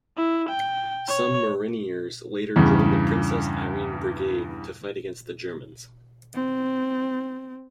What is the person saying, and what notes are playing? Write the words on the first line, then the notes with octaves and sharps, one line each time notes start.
Some Mariniers later joined the Princess Irene Brigade to fight against the Germans.
E4
G5
C#5
E2 G2 C#3
C4